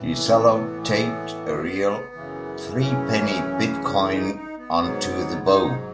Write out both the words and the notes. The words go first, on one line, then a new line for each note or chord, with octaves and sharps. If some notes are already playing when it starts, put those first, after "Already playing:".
She sellotaped a real 'threepenny bit' coin onto the bow.
Already playing: A2 E3
B3
C#4
B3
B3
B3
F#2 C#3 E3
C#4
D#4
D#4
B3
G#2 F#3 B3
D#4